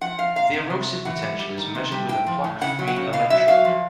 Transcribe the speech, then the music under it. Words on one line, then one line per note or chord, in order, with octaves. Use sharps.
The erosive potential is measured with a plaque-free electrode.
F3 F#5
F3 F5
A#2 F5
C3 F#5
C3
F#3
E3 F#5
G3
G3
D#3
C3
G3
A2 G5
F3
A2
C#3 F#5
F#3
F#5
C#3
B2 F5
F#3 E5
F#3 F5
F3